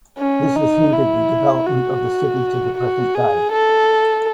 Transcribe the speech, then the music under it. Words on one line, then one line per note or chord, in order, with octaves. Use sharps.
This has hindered the development of the city to the present day.
C#4
D#4
E4
F#4
F#4
G#4
A4